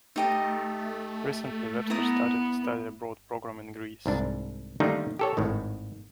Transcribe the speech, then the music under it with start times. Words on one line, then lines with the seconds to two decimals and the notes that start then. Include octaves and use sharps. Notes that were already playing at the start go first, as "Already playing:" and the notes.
Recently, Webster started a study abroad program in Greece.
0.16 A3 D#4 G4 D#5
1.90 B3 E4 A#5 D#6
4.06 C2 G#2 D4
4.80 D3 D#3 G3 A3 A#3 D#4
5.19 G4 A4 C#5
5.37 G#1 A2 D#3